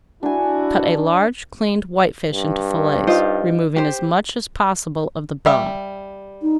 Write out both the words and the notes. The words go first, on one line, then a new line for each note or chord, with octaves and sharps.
Cut a large cleaned whitefish into fillets, removing as much as possible of the bone.
D4 E4 F#4 G#5
G2
D#4 F4 C5
G4 C5
G3 E5
D#4